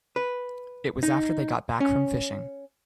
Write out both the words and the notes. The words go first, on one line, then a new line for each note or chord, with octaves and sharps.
It was after they got back from fishing.
B4
D#4
C#4